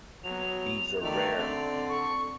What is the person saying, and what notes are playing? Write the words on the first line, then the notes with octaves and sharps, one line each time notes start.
These are rare.
F#3 B3 F#4 F7
D#3 A3 D5
D3 C4 D5
A4 C#6